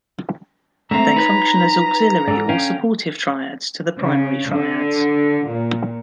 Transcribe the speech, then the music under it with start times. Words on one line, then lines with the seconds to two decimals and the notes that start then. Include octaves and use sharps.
They function as auxiliary or supportive triads to the primary triads.
0.91 D3 G#3 A3 C4 E5 A#5
1.16 D#4 B4 C#5
2.28 G#2 A4 D5
2.49 D3 C#4 F5 G5
4.01 C#3
4.49 D3
5.48 A#2